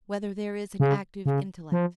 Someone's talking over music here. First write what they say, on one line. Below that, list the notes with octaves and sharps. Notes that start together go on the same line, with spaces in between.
Whether There Is an Active Intellect?
C#3
C#3
F3